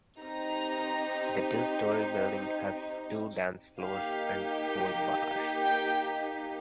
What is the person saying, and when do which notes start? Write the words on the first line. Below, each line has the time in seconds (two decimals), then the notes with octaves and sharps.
The two-storey building has two dance floors and four bars.
0.20 C4 D#4 G4 A#5
3.81 A#3 D#4 G4 F5
5.62 G5